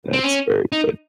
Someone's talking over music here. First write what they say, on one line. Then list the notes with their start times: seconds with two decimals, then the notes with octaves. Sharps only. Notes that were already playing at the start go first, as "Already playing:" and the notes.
That's very good.
0.13 C4
0.23 C#4
0.72 D#4